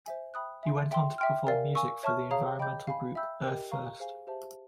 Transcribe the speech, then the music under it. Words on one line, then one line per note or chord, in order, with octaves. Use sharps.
He went on to perform music for the environmental group Earth First!
C5 E5 G#5
E5 G5 B5 D#6 F#6
E5 G#5 C6
E5 G5 C6
E5 G5 C6 F6
A#4 D5 F5 G#5
F5 G#5 C#6 E6
C#5 E5 A5 C#6 F6
G#4 C#5 F5 A#5 D#6
D#5 G5 B5 D6 G6
F5 G#5 B5
E5 G5 B5 E6 G6
G4 A#4 D#5 G5
F5 A#5 C#6
G#4 C5 F5 G#5
G4 C5 E5 A5